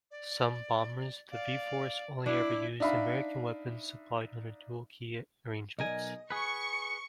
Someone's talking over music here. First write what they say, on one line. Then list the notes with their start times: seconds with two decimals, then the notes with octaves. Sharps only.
Some bombers of the V-force only ever used American weapons supplied under dual-key arrangements.
0.11 D5
1.32 D5 F5
2.26 D4 E4 D6
2.80 D4 D#4 E5 F5 B5
5.79 B1 A#4 D#5 G#5
6.30 G#4 B4 C#6